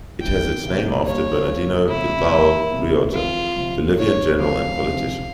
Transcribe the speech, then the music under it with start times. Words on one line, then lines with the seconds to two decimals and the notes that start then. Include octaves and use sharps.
It has its name after Bernardino Bilbao Rioja, Bolivian general and politician.
0.21 E3 G3 C4 G4 G5
0.63 C3 E3 A#3
1.05 A#2 G3 A#3 C#4 C#5
1.47 C#3 F3 A#3
1.88 C#2 C3 E3 G3 A#3 E4
2.30 G#2 E3 A#3
2.72 C2 A#2 G#3
3.14 F2 E3 G#3 F4
3.56 C#2 C3 F3
3.97 E2 C#3 E3 C#5
4.39 C#3 F3 C4 F4 G#4 F5
4.81 C3 F3 G#3 C4